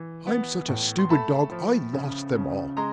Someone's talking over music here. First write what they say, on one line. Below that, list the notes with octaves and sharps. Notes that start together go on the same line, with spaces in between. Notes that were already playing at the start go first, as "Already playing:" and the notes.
I'm such a stupid dog I lost them all!
Already playing: E3
B3
A2
C6
A3 A5 B5
F3
C#3
C#3
G#3 A#5 C6